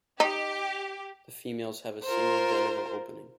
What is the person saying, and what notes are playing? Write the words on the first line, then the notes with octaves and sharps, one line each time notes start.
The females have a single genital opening.
D#4 G4
F4 A#4 C5